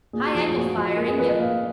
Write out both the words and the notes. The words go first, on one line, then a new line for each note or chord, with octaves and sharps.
High angle fire, inyah!
A#2 G#4
F#4
F3 G#4
G#4
A#2 F#4
F3 F#4
A#2 A#4
G#4
F3 B4
D#5
A#2 F5